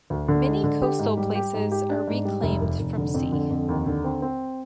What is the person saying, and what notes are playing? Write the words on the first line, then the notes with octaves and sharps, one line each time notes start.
Many coastal places are reclaimed from sea.
D2
D3
G#3
D3
G4
G#2
G3
G4
G#2
G4
D4
G#2
G3
F1
F1
F1
D3
F2
D3
F2
D#2
D3
C4
C4